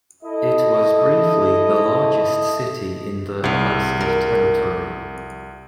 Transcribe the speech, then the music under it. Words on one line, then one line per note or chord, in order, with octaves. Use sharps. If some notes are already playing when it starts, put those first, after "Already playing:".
It was briefly the largest city in the Alaska Territory.
E4 A4 D#5
C2 G#4 F5
A#4